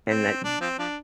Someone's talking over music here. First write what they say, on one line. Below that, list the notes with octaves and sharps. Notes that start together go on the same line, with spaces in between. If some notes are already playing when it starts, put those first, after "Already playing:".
And that t
C4
D4
F3 C4
F3 D4